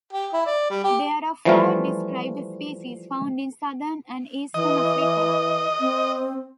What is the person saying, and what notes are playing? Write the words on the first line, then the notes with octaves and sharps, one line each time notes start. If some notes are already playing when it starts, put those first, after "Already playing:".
There are four described species, found in southern and eastern Africa.
G4
E4
D5
G3
G4
E3 F3 G3 A3 C4 F4
E3 D#5
C4